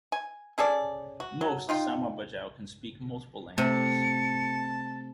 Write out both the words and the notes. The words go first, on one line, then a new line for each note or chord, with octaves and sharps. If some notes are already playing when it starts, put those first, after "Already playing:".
Most Sama-Bajau can speak multiple languages.
G#5
C#4 G#4 A4 D5
F#4
F#3
D#4 F4 G5
C3 A3 A5 C#7